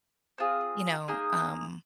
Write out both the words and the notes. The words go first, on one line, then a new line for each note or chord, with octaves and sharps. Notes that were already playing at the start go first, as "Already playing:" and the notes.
you know, um
C4 F4 G#4
A#3 D#4 G#4